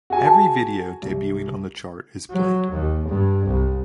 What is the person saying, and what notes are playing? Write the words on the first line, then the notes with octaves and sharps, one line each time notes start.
Every video debuting on the chart is played.
F#4 G#4 G#5
A5
C2
F#3
D#2
G2
C2